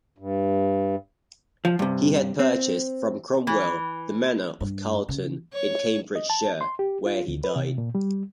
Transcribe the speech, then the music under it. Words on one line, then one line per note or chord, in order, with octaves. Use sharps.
He had purchased from Cromwell the manor of Carleton in Cambridgeshire, where he died.
G2
F3
G2 C3
C4
E3
G2
C#3
C#5
D#5
A5
C6
G4
F4
D2
B4
C3
A#2
G3